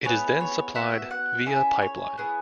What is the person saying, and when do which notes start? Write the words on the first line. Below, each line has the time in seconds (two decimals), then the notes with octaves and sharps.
It is then supplied via pipeline.
0.05 B3 E4 G#4 C#5
0.41 C#5
0.75 B3 F#4 E5
1.11 F#5
1.46 C#4 E4 G#4 E5
1.82 C#5
2.18 B3 E4 G#4